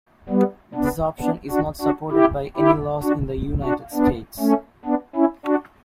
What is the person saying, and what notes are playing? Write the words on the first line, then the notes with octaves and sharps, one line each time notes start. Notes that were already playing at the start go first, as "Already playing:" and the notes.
This option is not supported by any laws in the United States.
G3 B3
B3 D4
B3 D4
D4 F#4
D4 F#4
E4 G4
E4 G4
D4 F#4
D4 F#4
B3 D4
A3 C#4
B3 D4
C#4 E4
D4 F#4